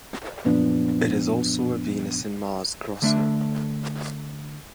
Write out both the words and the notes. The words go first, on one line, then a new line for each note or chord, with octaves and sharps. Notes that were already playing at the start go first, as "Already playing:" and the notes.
It is also a Venus and Mars-crosser.
F#2 A#2 F3 B3 D4
D3 A3 D4 E5